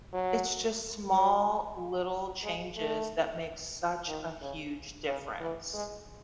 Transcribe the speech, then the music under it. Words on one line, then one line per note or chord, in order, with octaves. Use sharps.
it's just small little changes that make such a huge difference,
F#3
F#3
G#3
A3
D#3
C#3
C#3
E3
G#3